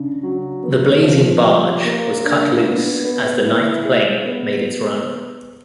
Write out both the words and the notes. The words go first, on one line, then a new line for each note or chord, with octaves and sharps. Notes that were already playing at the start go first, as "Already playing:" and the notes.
The blazing barge was cut loose as the ninth plane made its run.
Already playing: C#3 D4
F#3
B3
F3
G4
A#3
D4
B3
B3
E4
G#4
B3